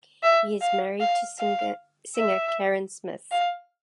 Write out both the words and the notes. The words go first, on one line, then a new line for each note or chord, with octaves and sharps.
He is married to singer Karen Smith.
E5
F5
F5
F5
E5
F5